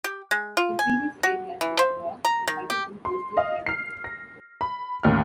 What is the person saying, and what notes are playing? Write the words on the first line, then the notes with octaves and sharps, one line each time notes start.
In treeless areas there are bogs, resulting from coastal flooding.
G4
G#3
F4
G#5
F#4
E3
C5
A#5
D#3
G4
C6
D#5 F5
F6 C7
A#6
B5
A1 D#2 F6